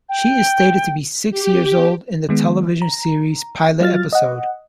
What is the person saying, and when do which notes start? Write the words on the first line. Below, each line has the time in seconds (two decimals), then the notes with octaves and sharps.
She is stated to be six years old in the television series' pilot episode.
0.09 G5
1.31 G4
2.29 D#3 G#3 B3
2.82 A#5
3.80 F#3 F4 F6 A6
4.13 D#5 F#5